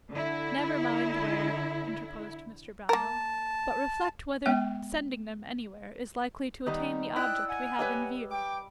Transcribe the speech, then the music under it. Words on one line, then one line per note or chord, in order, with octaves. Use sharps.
'Never mind where,' interposed Mr. Brownlow. 'But reflect whether sending them anywhere is likely to attain the object we have in view.'
D3 E4
A#3 A#4 A5
G#3 B3 G5
D#3 G3 B3 D#4 D#5 A#5
E4 D5 G5 D#6 E6 F#6
F#5 G#5
G3 B4 C#5 D#5
G5 D6